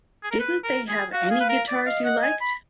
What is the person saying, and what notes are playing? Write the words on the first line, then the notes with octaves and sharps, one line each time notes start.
Didn't they have any guitars you liked?
G#4
A#4
B4
A#4
G#4
F#4 F5
G#4
B4
A#4
D5
D#5 F5
F#5
G#5
B5